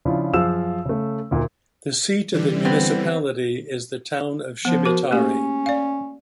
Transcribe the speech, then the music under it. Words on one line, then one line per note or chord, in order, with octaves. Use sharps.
The seat of the municipality is the town Schimatari.
C#3 F3 D4 E4 F4
F#2 F3 G#4 F5 E6 E7
C#3 A3
D2 A#2 D#3
D3 E3 G3
B3 C4
F3 B3
F#4 A#4
A3 A#3 C#4 G4
D5 F5